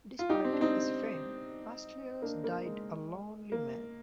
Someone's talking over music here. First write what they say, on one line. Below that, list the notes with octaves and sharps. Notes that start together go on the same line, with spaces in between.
Despite his fame, Astylos died a lonely man.
F4
D#4 G4
C4
D4
C4 D#4
A#3 D4
A#3
G#3
A#3